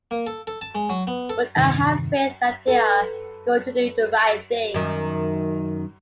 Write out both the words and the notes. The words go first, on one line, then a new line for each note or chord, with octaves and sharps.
But I have faith that they are going to do the right thing.
A#3
A4
A4
A5
G#3
F#3
B3
A4
E2 G2 C3 D#3
A4 B4
F#2 D#3